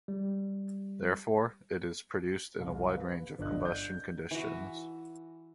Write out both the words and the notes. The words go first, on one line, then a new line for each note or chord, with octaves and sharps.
Therefore, it is produced in a wide range of combustion conditions.
G3
C2 F5
B4
G1 D3 D4 D#5 F#6
G6
E3 F#4